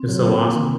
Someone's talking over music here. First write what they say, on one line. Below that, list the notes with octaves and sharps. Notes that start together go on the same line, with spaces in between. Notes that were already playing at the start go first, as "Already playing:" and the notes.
was so awesome.
Already playing: C4
F#3
A#3
A#3
D#3